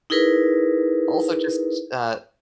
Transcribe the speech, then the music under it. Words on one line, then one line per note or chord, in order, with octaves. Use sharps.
also just, uh
D#4 E4 G#4 A#4 B4